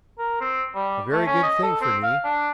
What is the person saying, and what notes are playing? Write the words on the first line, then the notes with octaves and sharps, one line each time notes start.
A very good thing for me.
A#4
C4
G3
A3
C#4
D#5
A4
C4
F5
D4